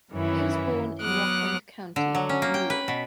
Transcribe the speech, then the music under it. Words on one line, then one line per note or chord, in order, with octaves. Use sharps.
He was born in Rockland County, New York.
F#2 D#3 E3 C#4 E4
F#3 B3 D6 D#6 F6 F#6
D3
F#3
C#4
A#3
G5
B4
B2